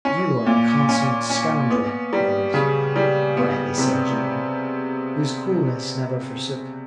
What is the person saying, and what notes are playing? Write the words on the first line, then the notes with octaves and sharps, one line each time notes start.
"You are a consummate scoundrel, Torres," quietly said Joam, whose coolness never forsook him.
C#4
A#2
C#4
C#4
B3
G3
C#3
G3
B3
C3